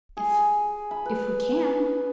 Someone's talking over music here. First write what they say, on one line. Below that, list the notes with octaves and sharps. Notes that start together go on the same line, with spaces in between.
"If--if we can."
G#4
B5
B4